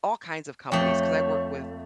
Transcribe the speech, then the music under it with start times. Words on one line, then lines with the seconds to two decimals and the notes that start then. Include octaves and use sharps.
all kinds of companies, 'cause I work with
0.72 F2 A3 C#5